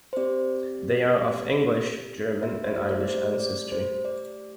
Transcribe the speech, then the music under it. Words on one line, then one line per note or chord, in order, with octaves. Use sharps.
They are of English, German, and Irish ancestry.
C5
C4 G4 D5
E5
C5
A3 E4 G4 D5
D5
C5
D5
C5
D5